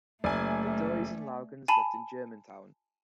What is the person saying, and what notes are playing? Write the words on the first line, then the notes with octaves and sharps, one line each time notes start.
The Dyes and Logans lived in Germantown.
F#1 A3 D5 G#5
G#5 A5 B5